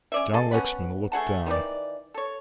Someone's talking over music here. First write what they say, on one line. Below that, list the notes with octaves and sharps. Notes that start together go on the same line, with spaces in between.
John Lexman looked down.
C#4 D5 E5
G#4 A4 D#5 A5
B3 C#4 F#5 B5
A3 G#4 F#5 A5
D#3 E3 D4 D5
A4 C#5